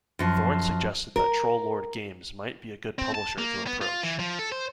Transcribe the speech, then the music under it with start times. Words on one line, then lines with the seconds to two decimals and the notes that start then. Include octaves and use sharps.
Thorne suggested that Troll Lord Games might be a good publisher to approach.
0.19 F#2 F3
1.16 A#4
2.99 C4
3.15 A5
3.38 A#3
3.67 B3
3.81 F4
4.03 E3
4.19 F3
4.39 A4
4.52 C5